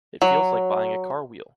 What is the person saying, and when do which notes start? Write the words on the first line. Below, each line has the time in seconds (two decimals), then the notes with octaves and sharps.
It feels like buying a car wheel.
0.22 F#3